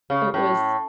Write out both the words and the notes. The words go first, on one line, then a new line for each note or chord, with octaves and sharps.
it was
C#3
A2